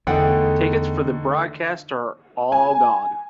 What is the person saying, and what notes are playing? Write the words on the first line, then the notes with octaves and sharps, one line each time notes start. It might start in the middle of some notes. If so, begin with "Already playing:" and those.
Tickets for the broadcast are all gone.
E2 D3 A3 D#4 G#4 F#5 G5
G#5